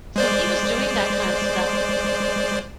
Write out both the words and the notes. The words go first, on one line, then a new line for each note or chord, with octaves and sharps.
So, he was doing that kind of stuff
G#3 C5 D5